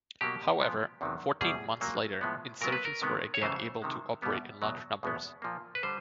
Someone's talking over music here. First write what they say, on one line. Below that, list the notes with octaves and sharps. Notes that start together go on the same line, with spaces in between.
However, fourteen months later insurgents were again able to operate in large numbers.
B2 F#3 A#3 G4
A#2 F3 G#3 B3
E2 C3 D#3 F#3
E2 B2 G3 G#4
A#2 F#3 A#3
A2 F3 G#3 B3
A#2 F#3 B3 A#4
B4
A#4
C3 D#3 G#3 B3
C#5
F#2 C#3 E3 A3 C5
C3 D#3 G#3
E2 B2 G3 B3
E2 B2 F#3
E2 B2 G#3 B3
A#2 F3 A#3
B4
D3 G3 C5